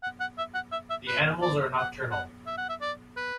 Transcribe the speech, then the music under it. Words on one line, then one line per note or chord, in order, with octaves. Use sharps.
The animals are nocturnal.
F#5
F#5
E5
F#5
E5
E5
B4
D5
F#5
F#5
E5
F#5
E5
D5
B4